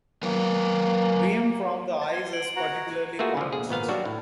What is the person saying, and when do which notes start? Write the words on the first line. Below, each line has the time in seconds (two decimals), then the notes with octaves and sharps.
Rheum from the eyes is particularly common.
0.23 F#3 A#3 A#4 B4
2.02 A5 A6
2.13 C6 G#6
2.33 G#6 D7 F#7
2.56 F#4 F#5 A#5
3.19 A3 A#3 F4 F#4 G#4
3.37 D3 F3
3.53 G#4
3.69 G#1 A#2 B3 F5
3.88 F#3 G3 D4 F#4
4.05 A2